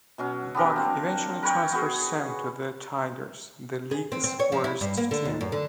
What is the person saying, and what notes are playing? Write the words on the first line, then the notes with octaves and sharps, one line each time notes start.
Buck eventually transfers Sam to the Tigers, the league's worst team.
B2 F#3 C#4
B3 D4 G4 A#4
A#3 C4
A#4 B4 C#5 G5
B3 F#4 G#4
G#4
C4
C4
C#5
F3
E4
G2
A#3
D3
D#2
F#2
D3